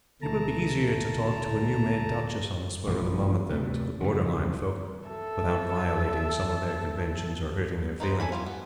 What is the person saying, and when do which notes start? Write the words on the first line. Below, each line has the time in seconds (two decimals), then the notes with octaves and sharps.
It would be easier to talk to a new made Duchess on the spur of the moment than to the Borderline folk without violating some of their conventions or hurting their feelings.
0.22 D2 B2 A3 A5 A#5
2.87 A1 B2 D3 F3
3.50 C3 A3
4.00 F2 C#3 E3
5.06 A4 E5
8.00 D#4 B4 C5
8.20 A4 G#5 B5
8.32 G3 F4
8.46 B3